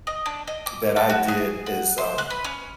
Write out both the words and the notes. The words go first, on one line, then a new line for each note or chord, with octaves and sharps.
that I did is, um,
D#5
D4
D#5
D6
A4
F#4
G#4
F#5
C5
F#6
B4
C#4